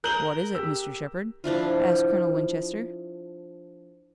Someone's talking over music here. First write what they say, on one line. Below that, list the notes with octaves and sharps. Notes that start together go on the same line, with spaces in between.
"What is it, Mr. Shepard?" asked Colonel Winchester.
A#4 G6 F#7 G7
G4 E6
F3 D4 E4 F4